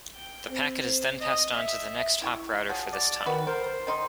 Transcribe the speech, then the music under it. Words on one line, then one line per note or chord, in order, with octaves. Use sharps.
The packet is then passed on to the next hop router for this tunnel.
G5
C4
C5
D#5
E5
E4 G5 C#6
F3 F#3 G#4
D5
D#3 B3 F#4 B4
A#4 C5
D#3 D#4 C6